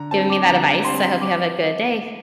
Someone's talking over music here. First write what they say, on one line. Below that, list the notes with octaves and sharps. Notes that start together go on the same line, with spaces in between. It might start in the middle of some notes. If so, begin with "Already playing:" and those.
giving me that advice. I hope you have a good day.
Already playing: D3 A#5
G3 C4 A5
D6
D3 A#5
A#5
G3 C4 C6
D6